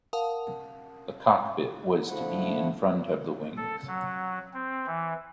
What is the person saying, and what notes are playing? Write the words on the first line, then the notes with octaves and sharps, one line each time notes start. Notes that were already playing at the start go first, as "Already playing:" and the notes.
The cockpit was to be in front of the wings.
A#4 F5 F#5 A5 D#6
D3 F3 A3 E4 F#5
A4
F#3
C4
E3